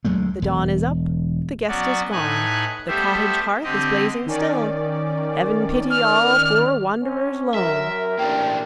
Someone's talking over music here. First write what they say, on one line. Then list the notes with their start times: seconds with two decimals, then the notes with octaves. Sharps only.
The dawn is up--the guest is gone, The cottage hearth is blazing still; Heaven pity all poor wanderers lone!
0.05 D2 F#3 G#3 A3
0.42 E1
1.68 F#3 B3 C#4 F#4 D5
2.11 A2 D#4 B4 G#5 F#6
2.88 G3 A3 B3 G4 C5 E5
3.63 D3 C4 G4 D#5
4.26 D#3 C#4 D5
5.90 F6
7.02 C#4
7.54 F#2 A#4 E5
8.19 A1 A#3 D4 G5